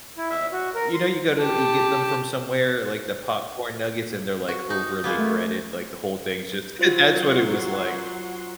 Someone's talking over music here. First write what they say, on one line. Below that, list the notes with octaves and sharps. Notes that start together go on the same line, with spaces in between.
uh you know, you go to you get them from somewhere, like the popcorn nuggets, they're, like, overly breaded, like, the whole thing's just So, that's what it was like.
E4
E5
F#4
A#4
C6
G4 A5
F#4
D#4
G#3 A#3 B3
A3
F#3 F4 C5 F#5 C6